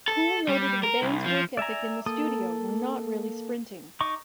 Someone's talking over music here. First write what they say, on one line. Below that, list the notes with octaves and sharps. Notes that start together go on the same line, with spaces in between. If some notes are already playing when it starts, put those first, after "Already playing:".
Cool noted of the band's work ethic in the studio, We're not really sprinting.
A4
G3
A#4
C2
F3
D5 E5 G#5 A#5
A#3 A4 D#6
D#4 D#5 C#6 D6